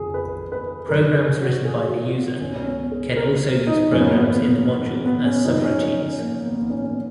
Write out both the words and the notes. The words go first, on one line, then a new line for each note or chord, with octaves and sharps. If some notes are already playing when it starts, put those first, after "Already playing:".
Programs written by the user can also use programs in the module as subroutines.
Already playing: F2 C#3 F3 G#4
B4
B4
F#2 F3 A#4
G#4
F#4
G#4
F#4
F4
C#2 B2 C#4
C#4
B3
G#4
A#4
D#4
F#2 C#3 F3 C#4
B3
A#3
B3
B3
B3
B3
B3
C#4
F#2 C#3 F3 D#4
C#4
C#4
C#4
A#3
B3
A#3
B3
C#4
C#4